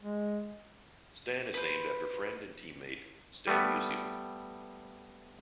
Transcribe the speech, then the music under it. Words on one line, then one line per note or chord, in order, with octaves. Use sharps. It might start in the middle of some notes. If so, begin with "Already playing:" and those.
Stan is named after friend and teammate Stan Musial.
G#3
B4 C5
G3 A3 B3